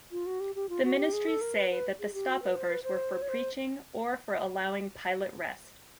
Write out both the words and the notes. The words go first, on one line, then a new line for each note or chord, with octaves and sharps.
The ministries say that the stopovers were for preaching or for allowing pilot rest.
F4
F#4
G4
G4
F4
F#4
G4
G#4
A4
A#4
B4
B4
G#4
G4
F#4
B4
C5
B4
C5
C#5
C5